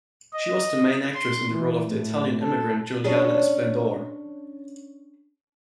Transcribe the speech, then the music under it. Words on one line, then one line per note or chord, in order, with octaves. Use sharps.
She was the main actress in the role of the Italian immigrant Giuliana Esplendore.
D#5
C6
E3
A2
A4
C#4 D4 G#4